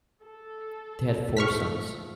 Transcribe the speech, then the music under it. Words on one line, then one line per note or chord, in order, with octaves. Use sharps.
They had four sons.
A4
F3 A3 C#6 F6 B6